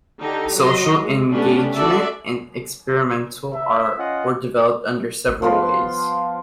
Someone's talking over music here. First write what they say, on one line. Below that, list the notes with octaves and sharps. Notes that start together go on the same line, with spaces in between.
Social engagement and experimental art were developed under several ways.
D3 D#4 G4
F#3 D#5 C6
G#3
A3 B3 C#4 D4 G4
F#4 A4 D5 E5
E5
C#4 F4 D#5 F#5
F3 B3 F4 C5